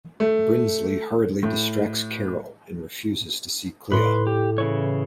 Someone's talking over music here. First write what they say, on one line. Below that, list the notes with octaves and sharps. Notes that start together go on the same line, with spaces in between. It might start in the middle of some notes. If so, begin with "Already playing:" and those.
Brindsley hurriedly distracts Carol, and refuses to see Clea.
A3
A2
A2 B4 C6
G4
C#3 E3 C#5